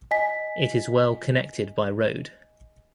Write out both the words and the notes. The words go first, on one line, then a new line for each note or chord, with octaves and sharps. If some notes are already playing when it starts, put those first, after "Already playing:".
It is well connected by road.
D#5 G#5 B6